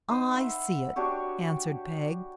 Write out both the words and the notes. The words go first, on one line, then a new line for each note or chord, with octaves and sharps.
'I see it,' answered Peg.
D#4 C5 D#6
E5 F#5 B5
D4 F#4 G4 C#5